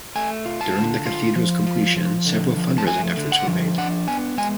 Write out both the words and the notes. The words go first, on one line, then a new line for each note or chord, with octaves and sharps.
During the cathedral's completion several fundraising efforts were made.
A3 G#5
F4
A5
D3
F4
F3
F4
F3
D3
F3
A5
A3 G#5
D3
F#5
F3
D4 F#5
B3 G#5
G#3 G#5